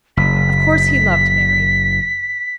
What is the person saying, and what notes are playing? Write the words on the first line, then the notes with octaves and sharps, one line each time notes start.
Of course he loved Mary.
F#1 B6